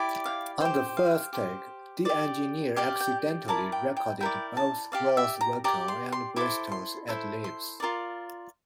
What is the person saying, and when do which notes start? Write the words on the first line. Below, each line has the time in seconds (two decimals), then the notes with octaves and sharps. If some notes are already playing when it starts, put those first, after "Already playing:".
On the first take, the engineer accidentally recorded both Ross's vocal and Bristol's ad-libs.
Already playing: E4 G4 D5
0.26 F5
0.61 G4 C5 G5
0.97 F5
1.33 G4 C5
2.05 G4 D5
2.76 G4 D5 F5
3.00 G5
3.48 E4 A#4 D5 A5
3.72 G5
3.97 G5
4.21 E4 A#4 D5 G5
4.57 A5
4.92 G4 D5 F5
5.17 E5
5.41 A#5
5.64 G4 D5 A#5
5.88 C6
6.12 C6
6.36 E4 A4 C5 D6
6.72 C6
7.08 E4 A4 C5
7.44 C6
7.80 F4 A#4 D5